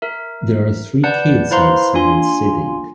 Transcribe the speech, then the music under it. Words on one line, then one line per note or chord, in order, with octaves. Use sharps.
There are three kids outside sitting.
A#4 E5
B4 D5 F#5 A5 G6
E4 B4 C5 F5 A#5 C6
A#3 D4 F4 G#5 C6